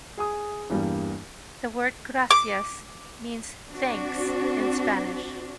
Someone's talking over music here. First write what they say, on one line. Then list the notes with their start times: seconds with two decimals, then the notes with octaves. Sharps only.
The word "gracias" means "thanks" in Spanish.
0.17 G#4 G#5 D#6
0.70 E2 G2 G3 A#3
2.31 D6
3.69 C4 D4 F#4